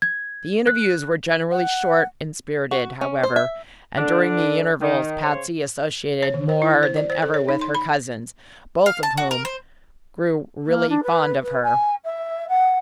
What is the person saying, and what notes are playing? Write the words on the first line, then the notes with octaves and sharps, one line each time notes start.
The interviews were generally short and spirited, however, and during the intervals Patsy associated more than ever with her cousins, both of whom grew really fond of her.
G#6
F#6
F#5
F#4
C#4
C5
E5
D3 D4
D#3
C#3 C5 C#5
C#5
D#3
C5
E4
C5
D5
C5
A4
C#5
D#4
C6
B5
F5
A5
F#4
A#4
C5
A#3
D4
B4
B4
G#5
E5
F#5